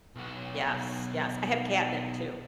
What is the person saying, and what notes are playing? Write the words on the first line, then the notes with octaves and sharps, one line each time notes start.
Yes, yes. I have catnip too,
B1 F#4